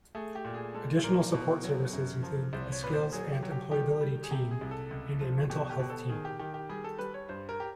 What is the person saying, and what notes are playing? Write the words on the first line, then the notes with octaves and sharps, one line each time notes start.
Additional support services include a Skills and Employability Team and a mental health team.
A3 G#4
G4
A#2
G#4
G#3 A4
A#2 A#4
B2
F#3
F#2
F3
C2 C5
C#5
A#2 B4
C5
F#3 G#4
G4
F#3
G4
D#3 G4
G3
G#4
C3 G4
G#4
C2
A4
C#2
F3
B2 G4
G4
B2
A4
D#3 G#4
G4
D#3 G4
G4
G3 G#4
A4
G3 B4
C#5
G2 C5
A#4
G4